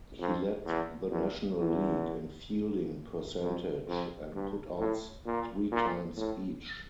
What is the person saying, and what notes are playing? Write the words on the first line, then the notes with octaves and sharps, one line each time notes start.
He led the National League in fielding percentage and putouts three times each.
F2
E2
E2
E2
F2
F2
G2
A2
A#2
A#2
A2